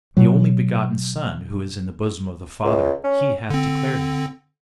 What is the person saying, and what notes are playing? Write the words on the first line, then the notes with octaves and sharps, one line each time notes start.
The only-begotten Son, who is in the bosom of the Father, He hath declared Him.
B2 F#3
C#2
C#4
D3 C4